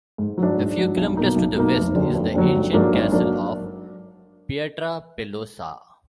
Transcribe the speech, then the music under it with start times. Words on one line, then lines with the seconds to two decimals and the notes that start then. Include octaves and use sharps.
A few kilometers to the west is the ancient castle of Pietrapelosa.
0.18 G#2
0.38 F#3
0.43 D4
0.58 G#2
0.78 F#3 D4
0.97 B1
1.17 B2 A#3 D#4
1.36 B1
1.55 B2 A#3 D#4
1.76 F1
1.95 D#2 D3 F#3
2.14 F1
2.34 D#2 D3 F#3
2.54 G#1
2.73 G#2 F#3 A#3 D4
2.93 G#1
3.12 F#3 A#3 D4